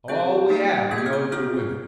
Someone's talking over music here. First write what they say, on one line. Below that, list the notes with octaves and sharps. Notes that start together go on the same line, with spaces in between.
All we have we owe to women.
C4 F4 G#4 G6
A#3 D#4 G4
A#3 C#4 G#4 G#6
G6
F6
G6
C#4 F4 G#4 F6